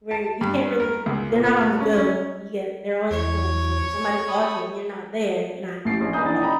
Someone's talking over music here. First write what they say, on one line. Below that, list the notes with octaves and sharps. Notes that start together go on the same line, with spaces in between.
where you can't really They're not on the go. Yeah, they're always at home, so if somebody called you and you're not there, you're not getting their call,
A5
G2
A#4
C#2
A#2
A3
C#4
C#4
E2 C#5
B5 D#6
A1 A2 A6 C7 D7
A#1
B4 D#5 G#5 A#5 D#6 G6
A#1 E3 D4 D#4 D5 A6
C#4 D#4 D#5 G5 A#5 B5